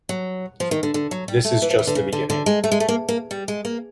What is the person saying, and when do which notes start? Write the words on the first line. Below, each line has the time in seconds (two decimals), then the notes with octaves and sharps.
This is just the beginning.
0.09 F#3
0.60 F3
0.71 D#3
0.83 D3
0.94 D3
1.11 F#3
1.28 G3
1.44 A3
1.62 E3
1.70 F3
1.79 E3
1.87 D3
1.95 C#3
2.13 D3
2.30 D3
2.46 G#3
2.64 A3
2.72 G#3
2.80 A3
2.88 A#3
3.09 A#3
3.31 G3
3.48 G#3
3.65 A#3